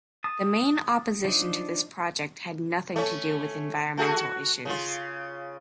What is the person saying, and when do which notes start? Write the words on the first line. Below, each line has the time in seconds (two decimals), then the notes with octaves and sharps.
The main opposition to this project had nothing to do with environmental issues.
0.24 A5 D#6
1.24 F3 D4 D#4
2.96 A3 C#4
3.97 A3 F#4 G#4
4.17 F#4
4.65 C#3 F4